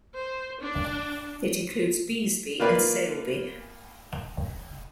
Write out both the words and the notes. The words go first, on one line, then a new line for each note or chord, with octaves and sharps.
It includes Beesby and Saleby.
C5
D4
A#3 F4 B4 D5